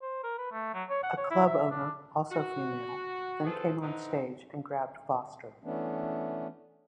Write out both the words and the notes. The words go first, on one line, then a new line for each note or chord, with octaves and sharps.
A club owner, also female, then came on stage and grabbed Foster.
C5
A#4
B4
A3
F#3
C#5
F#5
C#5
E4
E5
D4
F#4
C4 F4 G#4 A4 B4 C5
D3 E3 C4 D#4
E3 A3 B3 C#4 D4